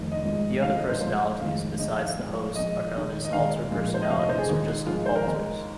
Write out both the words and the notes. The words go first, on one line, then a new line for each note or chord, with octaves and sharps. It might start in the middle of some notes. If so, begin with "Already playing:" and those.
The other personalities, besides the host, are known as alter personalities, or just "alters".
Already playing: F1 D#2 D#3
D#5
G#1 G#2 F3 G#3
G#1 G#2 F3 G#3 F5
D#5
C5
G#1 G#2 F3 G#3 C5
F1 D#2 D#3 G#3 F5
A#1 G#2 G#3 D#5
F5
A#1 A#2 G#3
A#1 A#2 G#3 D#5
D#2 D#3 G#3
D#5
D#2 D#3 G#3 F5
A#1 A#2 G#3
C5
D#5
F2 C3 F3 F5
D#5
C5
G#4
D#2 D#3 G#3
G#1 G#2 F3 G#3 F4
C5
A#4
D#2 D#3 G#3